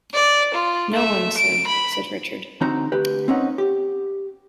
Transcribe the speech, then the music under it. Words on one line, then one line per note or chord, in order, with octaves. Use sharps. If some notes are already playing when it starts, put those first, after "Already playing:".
"No one, sir," said Richard.
D5
F4
A3 E5
D7
B5
D3 C4 D#4 F#4 C5 A#5
D2 G4 B4
C4 C#4 D#4 F#5
G4